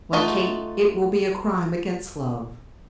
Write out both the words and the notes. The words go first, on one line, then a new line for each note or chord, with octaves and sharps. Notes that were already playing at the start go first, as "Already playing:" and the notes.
Why, Kate, it will be a crime against Love.
A3 D#4 F4 F#4